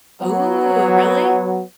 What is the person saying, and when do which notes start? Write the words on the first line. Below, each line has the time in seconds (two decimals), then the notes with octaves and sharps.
Ooh, really?
0.21 F#3 B3